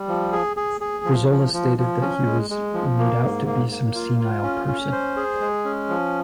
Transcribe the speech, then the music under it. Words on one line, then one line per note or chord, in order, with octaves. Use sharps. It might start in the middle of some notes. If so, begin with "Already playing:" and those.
Brizola stated that he was "made out to be some senile person".
Already playing: G3
F3
G#4
G#4
G#4
F3
F3
F3
F3
C#4
G#3
G#3
F3
A#3
G#2
A#3
A#3
F4
F4
C#4
C#4
C5
G#4
G#3
C#4
F3